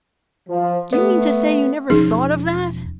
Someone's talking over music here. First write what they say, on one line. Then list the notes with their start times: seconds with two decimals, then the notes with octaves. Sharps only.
Do you mean to say you never thought of that?
0.49 F3
0.93 A3 B3
1.90 E1 F3 C#4 D#4 G#4